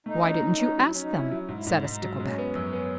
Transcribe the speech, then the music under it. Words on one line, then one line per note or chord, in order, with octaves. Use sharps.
"Why didn't you ask them?" said a Stickleback.
A3 D#4
C#4
A3
C#4
F#3
C#4
D#4
C#4 E4
F#3
G#2
E4
G#2 D#4
E4
G#2 D#4
F#3
G#3 C#4
B3
F#2
B3